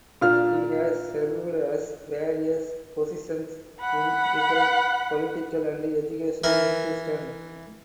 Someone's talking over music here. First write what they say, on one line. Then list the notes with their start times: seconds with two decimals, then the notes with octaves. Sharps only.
He has served as various positions in different political and educational institutions.
0.21 A#2 D4 F5 F6
3.80 F#5 B5
6.44 E3 A#4